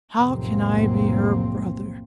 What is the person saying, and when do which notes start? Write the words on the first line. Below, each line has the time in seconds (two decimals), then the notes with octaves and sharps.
How can I be her brother?
0.20 F1 B1 A2 A#3 C4